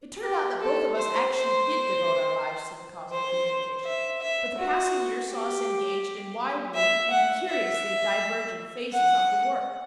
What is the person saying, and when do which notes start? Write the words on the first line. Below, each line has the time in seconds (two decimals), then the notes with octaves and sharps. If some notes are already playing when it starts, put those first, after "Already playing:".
It turned out that both of us actually did devote our lives to the cause of communication; but the passing years saw us engaged in widely and curiously divergent phases of the work.
0.22 G4
0.59 A4
0.96 C5
1.31 C5
3.12 C5
3.85 E5
4.21 E5
4.58 F#4
5.30 G4
6.75 E5
7.11 F#5
7.48 E5
8.93 F#5